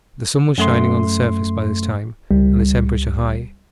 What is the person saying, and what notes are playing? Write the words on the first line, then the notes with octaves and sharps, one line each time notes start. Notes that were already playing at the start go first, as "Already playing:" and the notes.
The sun was shining on the surface by this time, and the temperature high.
F#2 A3 C6
C#2 G3